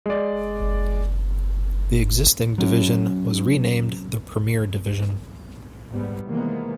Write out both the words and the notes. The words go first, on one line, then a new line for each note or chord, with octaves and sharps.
The existing division was renamed the Premier Division.
G#3 D5
F#3 C#4
G#2 G3 B3
C3 D#3 E3 G#3 A#3 B3